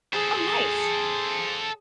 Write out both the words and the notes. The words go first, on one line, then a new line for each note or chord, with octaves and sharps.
Oh, nice.
G#4 A4 C5